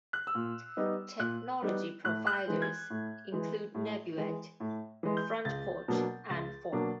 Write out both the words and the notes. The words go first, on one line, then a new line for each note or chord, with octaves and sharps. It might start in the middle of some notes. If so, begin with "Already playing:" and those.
Technology providers include NebuAd, Front Porch, and Phorm.
F#6
E6
A#2 F6
G3 B3 D#4
A#2 F#6
G3 B3 D#4
A2 F#6
F#6
G6
E3 G#3
G#6
A2
E3 G#3
A2
E3 G#3
A2
E3 G#3
G6
C#2 A6
B2 F#3 A#3 D4
C#2 A6
B2 F#3 A#3 D4